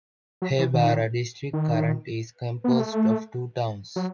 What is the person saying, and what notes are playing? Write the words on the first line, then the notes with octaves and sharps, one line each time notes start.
Haibara District current is composed of two towns.
F#3
E3
D#3
D#3
B3
A#3
A3
F#3